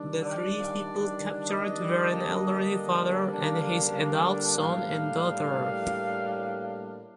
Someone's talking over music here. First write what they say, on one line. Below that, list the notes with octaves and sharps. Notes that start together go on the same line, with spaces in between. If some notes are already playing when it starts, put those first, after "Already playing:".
The three people captured were an elderly father and his adult son and daughter.
Already playing: D#3 G3 D4
D5
D#5
D3 G3 A#3 D4
F5
A2 G3 A#3 D4 F5